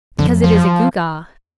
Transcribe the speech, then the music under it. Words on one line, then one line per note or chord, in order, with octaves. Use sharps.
Because it is a gewgaw.
F2 D3
F3